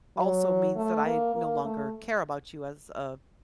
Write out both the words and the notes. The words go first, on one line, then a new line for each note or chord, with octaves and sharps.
also means that I no longer care about you as a
F#3
A3
A#3
A#3
A3